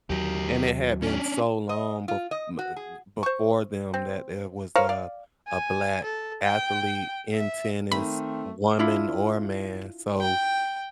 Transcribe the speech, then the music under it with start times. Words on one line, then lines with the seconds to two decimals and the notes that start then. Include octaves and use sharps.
And it had been so long be uh, before them that there was a a Black athlete in tennis, woman or man, so
0.10 D#2 F#3 G4 A#4
1.02 C#4 D4
1.69 D#5
2.08 F4
2.31 D#5
2.59 F#4
2.76 G#4
3.23 C5 C#6
3.94 C4
4.76 A#4 C5 C#5 F5
4.89 D5 F5
5.48 G#5
6.04 A4
6.43 G5
7.35 E5
7.92 D#3 A3 C4 B5
8.79 D4 E4 F4
10.20 G5